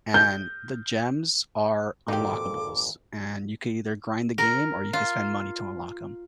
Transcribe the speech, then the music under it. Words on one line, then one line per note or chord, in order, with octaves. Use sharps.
and the gems are unlockables, and you can either grind the game or you can spend money to unlock 'em,
G6
G#1 F2 A#2 D#4 G4 A4 D6
A#4
F4